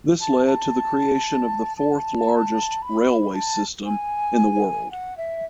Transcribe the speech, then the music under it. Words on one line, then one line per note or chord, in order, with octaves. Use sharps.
This led to the creation of the fourth largest railway system in the world.
A5
A5
A5
B5
A5
G#5
F#5
E5